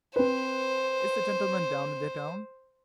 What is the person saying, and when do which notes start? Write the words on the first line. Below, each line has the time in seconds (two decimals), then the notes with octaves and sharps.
"Is the gentleman down in the town?"
0.16 C4 B4 C5